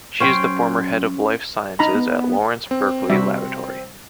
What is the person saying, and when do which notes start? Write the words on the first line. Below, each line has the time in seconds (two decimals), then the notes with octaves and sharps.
She is the former head of life sciences at Lawrence Berkeley Laboratory.
0.20 F#3 C#4 C5 G5
1.79 D#4 A#5 B5
1.95 B3
2.71 C4
3.10 C3 G3 F#4 E5